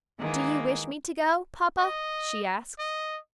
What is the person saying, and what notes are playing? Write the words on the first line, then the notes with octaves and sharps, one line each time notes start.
"Do you wish me to go, papa?" she asked.
D#3 E3 G#3 A#3
D#5
D#5